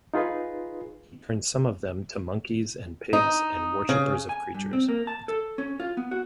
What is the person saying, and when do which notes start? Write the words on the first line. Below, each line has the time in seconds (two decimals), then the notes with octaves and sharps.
He turned some of them to monkeys and pigs and worshippers of creatures.
0.14 D#4 F4 G#4 B4
3.13 D#4
3.89 C#3
4.29 G#5
4.54 G2
4.73 C4
4.89 A#3
5.07 A5
5.28 A4
5.58 C#4
5.80 F4
5.97 B3
6.11 F#4